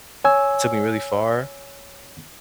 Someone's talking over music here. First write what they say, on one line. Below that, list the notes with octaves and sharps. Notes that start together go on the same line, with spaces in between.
took me really far,
C#5 G#5 E6